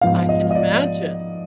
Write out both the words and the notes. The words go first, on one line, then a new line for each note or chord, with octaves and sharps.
I can imagine.
G#2 F3 B3 D#4 F5
D#5
D#5
D5